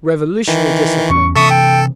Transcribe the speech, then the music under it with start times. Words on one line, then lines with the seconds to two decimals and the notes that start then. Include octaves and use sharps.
Revolutionary discipline!
0.48 D#3 E3
1.10 E2 C#4 C#6
1.35 C3 E3 A4 E5 C#6 D#6
1.50 A4 G5